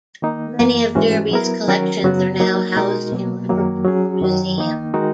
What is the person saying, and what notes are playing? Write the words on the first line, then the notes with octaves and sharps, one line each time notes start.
Many of Derby's collections are now housed in Liverpool museum.
D#3 A#3 D#4
F#2 E3 A#3
G#2 E3 G#3 C#4 F#4
F#3 B3 E4 A#4
D#3 F#3 C#4 F#4 A#4
F#2 C#3 F#3 B3 F#4
F#3 A#3 D#4 A#4
B2 G#3 D#4 F#4 A#4
B2 F#3 A#3
F#2 D#3 F#3 A#3
F#3 C#4 G#4
F#2 D#3 F#3
D#3 A#3 D#4
D#3 G#3 D#4 F#4 A#4